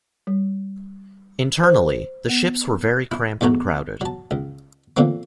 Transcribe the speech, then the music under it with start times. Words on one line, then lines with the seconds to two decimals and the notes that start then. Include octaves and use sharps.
Internally, the ships were very cramped and crowded.
0.27 G3
1.64 C5
2.29 B3
3.12 E4
3.41 E2 G#2 A3 F#4 A#5
4.01 F#3 A5
4.31 C#2
4.97 A#2 D3 E3 A#3 C4